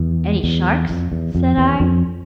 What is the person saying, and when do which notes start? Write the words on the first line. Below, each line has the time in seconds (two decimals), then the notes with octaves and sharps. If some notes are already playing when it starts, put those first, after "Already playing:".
"Any sharks?" said I.
Already playing: E2
0.44 E2
0.90 F2
1.12 E2
1.35 F2
1.57 E2
1.80 F2